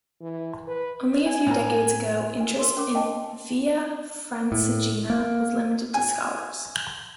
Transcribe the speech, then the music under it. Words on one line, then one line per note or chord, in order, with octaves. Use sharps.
Only a few decades ago, interest in the Via Francigena was limited to scholars.
E3
B4
G#5
A2 A#4
E4 G#5
A#4 C6
C#4 A#4 D6
D#5 G5 A5
A2
A#3
G#5